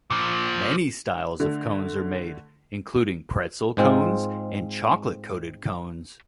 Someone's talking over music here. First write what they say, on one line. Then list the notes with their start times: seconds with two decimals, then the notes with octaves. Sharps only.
Many styles of cones are made, including pretzel cones and chocolate-coated cones.
0.10 A#2 F3
1.40 D3 A3
3.77 G#2 G#3 C4 F4